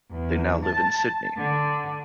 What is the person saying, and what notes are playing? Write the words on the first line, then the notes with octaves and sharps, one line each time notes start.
They now live in Sydney.
E2
A5
D3